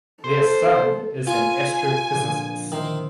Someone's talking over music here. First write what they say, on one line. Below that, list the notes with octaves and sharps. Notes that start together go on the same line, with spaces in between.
Their son is an astrophysicist.
A4 C5
B3 C4 F4 G#5
A#2 D3 F3
D#3 E4 A#4 C5